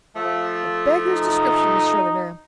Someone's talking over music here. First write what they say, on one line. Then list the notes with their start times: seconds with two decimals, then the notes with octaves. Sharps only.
It beggars description, Miss Shirley, ma'am.
0.16 F3 A3
1.06 D#4